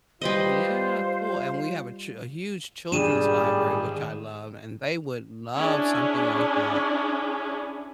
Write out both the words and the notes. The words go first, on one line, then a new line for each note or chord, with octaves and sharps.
Yeah, cool, and we have a ch a huge children's library, which I love and they would love something like that.
G3 F4 B4 C5 D#5
G#2 D#3 G3 D4 G#4 D#7 E7
C#4 D4 E4 G#4